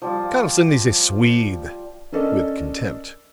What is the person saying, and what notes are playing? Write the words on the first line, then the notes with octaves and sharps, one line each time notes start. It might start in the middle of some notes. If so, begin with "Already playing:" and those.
"Karlson is a Swede," with contempt.
F3 G3 F4
C#4 D4 A4 A#4 D5 D#5